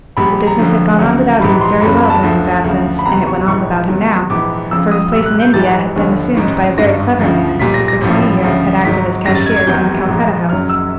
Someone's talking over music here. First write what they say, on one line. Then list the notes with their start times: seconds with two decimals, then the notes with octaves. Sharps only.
The business had gone on without him very well during his absence, and it went on without him now, for his place in India had been assumed by a very clever man, who for twenty years had acted as cashier in the Calcutta house.
0.17 A#1 A#2 G3 B5
0.47 A#5
0.58 F2 D3 F3
0.99 D2 C#3 F#3
1.40 A#1 G#2 E3 G3 B5
1.61 C6
1.81 F#1 E2 C#3 F#3 B5
1.95 B5
2.10 A5
2.23 D2 D3 F3
2.64 D2 C#3 F3
2.99 B5
3.05 F1 E2 C3 A#5
3.27 C#6
3.47 A#1 G#2 E3 C#6
3.88 E2 C3 D#3 F#3
4.30 A#1 G#2 E3 D6
4.71 F2 C#3 F3 E6
4.91 D#6
5.12 C2 A#2 G3 E6
5.26 F#6
5.40 G6
5.54 A#1 G#2 E3 G3 A6
5.95 F1 D#2 D3 F3
6.37 A1 G#2 D#3
6.77 G#1 G2 D#3 A#6
7.19 D2 C#3 F3
7.60 B1 A#2 G3 B6
7.74 A#6
7.88 A#6
8.01 A1 A2 F3
8.43 D2 C#3 F3
8.84 G#1 G#2 D#3 F#3 B6
9.25 G#1 F#2 D#3 G3 A#6
9.35 A6
9.46 G#6
9.56 G#6
9.67 F1 E2 C3 D#3 F#3 G6
10.08 A#1 G#2 F3
10.49 F#1 F#2 D#3 F#3 F6
10.69 E6